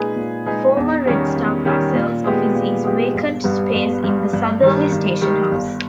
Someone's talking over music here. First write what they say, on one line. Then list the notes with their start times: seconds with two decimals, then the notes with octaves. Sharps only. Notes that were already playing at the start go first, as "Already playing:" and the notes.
A former Red Star Parcels office is vacant space in the southerly station house.
Already playing: A#2 G#3 D#4 G#4 B4
0.16 A#2
0.46 G#3 D#4 G#4 B4
0.77 E2
1.06 D#3 G3 C#4 G4
1.36 E2
1.65 D#3 G3 C#4 G4
1.94 A#2
2.24 G#3 B3 G4
2.55 A#2
2.84 G#3 B3 G4
3.14 G1
3.44 G2 G3 B3
3.74 G1
4.04 G2 G3 B3
4.33 G2
4.62 D#3 G3
4.92 G2
5.21 D#3 G3
5.52 G1